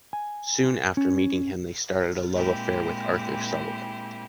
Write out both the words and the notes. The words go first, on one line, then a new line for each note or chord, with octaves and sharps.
Soon after meeting him, they started a love affair with Arthur Sullivan.
G#5
C#4
A#2 G#3 C4 E4 G4